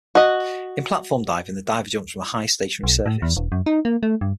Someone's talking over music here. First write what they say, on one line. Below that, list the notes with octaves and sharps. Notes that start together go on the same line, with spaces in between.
In platform diving, the diver jumps from a high stationary surface.
F#4 D#5
B1
A2
E2
E1
F#2
D#4
A#3
A3
G2